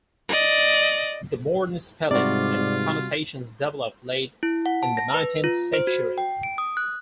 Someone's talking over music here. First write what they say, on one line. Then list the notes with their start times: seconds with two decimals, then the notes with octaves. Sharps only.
The modern spelling and connotations developed late in the nineteenth century.
0.29 D5 D#5
2.11 G#2 C3 G3 F4 F#4 D5
4.43 E4
4.66 F#5
4.83 A5
4.97 A#6
5.14 B4
5.44 F4
5.73 C5
5.87 F#4
6.18 G5
6.43 D7
6.58 D#6
6.77 F#6